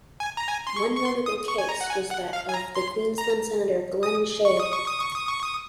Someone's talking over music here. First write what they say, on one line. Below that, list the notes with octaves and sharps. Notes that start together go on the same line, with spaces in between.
One notable case was that of the Queensland Senator Glen Sheil.
G#5
A#5
G#5
C6
C#6
C#6
C6
D#6
C#6
G#5
A#5
F#5
G#5
F#5
F5
G#5
A#5
C6
A#5
D#6
C#6
D#6
C#6
D#6
C#6
D#6
C#6
D#6